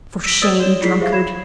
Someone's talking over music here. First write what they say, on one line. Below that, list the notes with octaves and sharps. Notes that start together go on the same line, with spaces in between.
For shame, drunkard!'
E6 A#6 B6 D7
C5 D5 D#6 E6 A6
F#4 C#5 D5 E7 G7
E4 F4 G#4 D5 B6 C7
G4 G#4 C5 E5 F5
B5 G#6 C7 E7